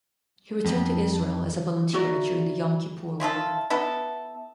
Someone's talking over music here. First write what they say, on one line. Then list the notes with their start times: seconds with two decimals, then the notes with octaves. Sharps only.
He returned to Israel as a volunteer during the Yom Kippur War.
0.65 F2
1.93 E4 F#4 A#4 D5
3.20 E4 F4 G#4 A4
3.70 B3 E4 A4